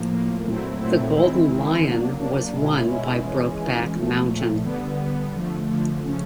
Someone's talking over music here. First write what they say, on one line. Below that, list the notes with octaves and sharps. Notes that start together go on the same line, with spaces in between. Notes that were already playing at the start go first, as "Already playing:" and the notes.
The Golden Lion was won by Brokeback Mountain.
Already playing: A2 F3 A#3
A2 F3 A#3
A#2 F#3 A3 C4 E4
A#2 F#3 A3 C4 E4
D#3 G#3 C4 E4
D#3 G#3 C4 E4
F#3 A#3 D4
F#3 A#3 D4
B2 G#3 C#4 E4
B2 G#3 C#4 E4
E3 G#3 C#4
E3 G#3 C#4
A#2 F3 A3
A#2 F3 A3
D3 G3 B3
D3 G3 B3
D3 F3 A3
D3 F3 A3
C#3 F3 A3 C#4